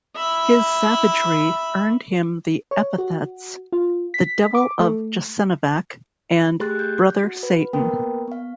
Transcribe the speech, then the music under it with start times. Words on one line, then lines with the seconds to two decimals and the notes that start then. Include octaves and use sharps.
His savagery earned him the epithets "The Devil of Jasenovac" and "Brother Satan".
0.16 E5 B5
2.71 C#5
2.98 F#4
3.72 F4
4.14 B6
4.55 D6
4.80 A3
6.60 A3 G4 G#4 C6 F#6 A6
6.79 G6
7.24 F#4
7.43 B4
7.73 A#3 B3 A#4 B4 G5
8.28 B3 F5